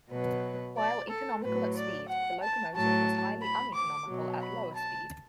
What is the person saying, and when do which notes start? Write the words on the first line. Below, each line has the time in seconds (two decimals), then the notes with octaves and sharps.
While economical at speed, the locomotive was highly uneconomical at lower speed.
0.11 B2 F#3 B4
0.77 D5
1.10 A4
1.43 A2 F#3 B4
1.76 D5
2.09 F#5
2.42 A5
2.75 A2 F#3 A5
3.42 B5
3.74 D6
4.08 B2 F#3
4.41 B5
4.74 A5